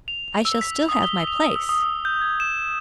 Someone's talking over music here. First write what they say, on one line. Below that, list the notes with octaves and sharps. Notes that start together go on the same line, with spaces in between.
"I shall still have my place."
F7
E6
B6
D#6
G7
F7
E6
D#6
E6
G6
G#6
E7